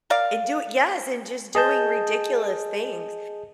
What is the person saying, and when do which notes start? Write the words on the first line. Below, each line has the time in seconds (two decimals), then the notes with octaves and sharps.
And do it yes, and just doing ridiculous things
0.10 A#4 D5 F5
1.55 G#4 D#5 A5 G6